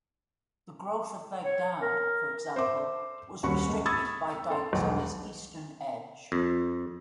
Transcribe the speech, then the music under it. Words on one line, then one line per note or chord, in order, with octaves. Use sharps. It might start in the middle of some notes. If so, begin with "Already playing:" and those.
The growth of Baghdad, for example, was restricted by dikes on its eastern edge.
C#5
A#4
C5 E5 D6
D#1 C2 C#4 F#4 B5 C#6
C#2
B5 C#6 D#6 E6 G#6 A6
A4 C6
E1 B1
F2